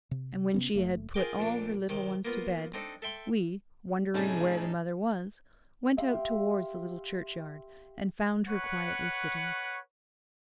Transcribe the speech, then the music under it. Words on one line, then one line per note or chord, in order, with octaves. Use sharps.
And when she had put all her little ones to bed--we, wondering where the mother was, went out towards the little churchyard, and found her quietly sitting there.
C3
C3 B3 C#4
F#1 C3 A3
F4 G#4 A#4 G5 D6
F2 A#2 D4
C3 D#3
A#3 B3 F4
C4 D4 D#4 A4
A4 E5 G5 C6
A2 C3 C#4 D#4 G#4 A5
G4 E5 F5 C6
B4 C#5 F#5 C#6